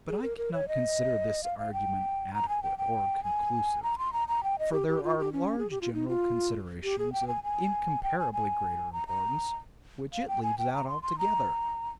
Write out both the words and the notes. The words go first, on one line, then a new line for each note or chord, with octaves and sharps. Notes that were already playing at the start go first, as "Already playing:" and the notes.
But I could not consider this argument adequate or conclusive, for there are large general considerations of incomparably greater importance which it leaves out altogether.
G#4
A#4
A#4
C#5
D#5
F5
F5
G5
A#5
G#5
G5
G5
G#5
A#5
C6
A#5
A#5
G5
D#5
G4
G4
F4
G4
C#4
G#4
G4
F4
D#4
F4
G4
G#4
G5
G#5
G#5
G5
G#5
G#5
A#5
A#5
F5
G5
G#5
G5
A#5
C6
C6
A#5